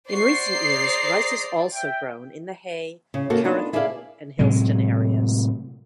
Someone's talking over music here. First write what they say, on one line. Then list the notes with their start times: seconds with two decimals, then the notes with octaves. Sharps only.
In recent years, rice is also grown in the Hay, Carrathool and Hillston areas.
0.11 F#4 C5 D5 C#6 C7
0.56 G#4 D#5 A#5
1.74 E5 G5
3.14 C#3
3.30 C#3 A#3 F#4 A4
3.44 B3 D4 D#4 F4
3.73 E4 G#4 A4 D5 D#5 F5
4.39 A2 C3 F#3 G#3